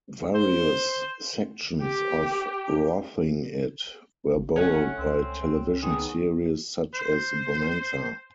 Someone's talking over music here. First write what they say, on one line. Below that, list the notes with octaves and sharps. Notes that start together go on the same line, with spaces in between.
Various sections of "Roughing It" were borrowed by television series such as "Bonanza".
C5
G4
G#1
A3 C#4 F#5 G#5 B5
C#2 C4
D#3 B3 G#4
C5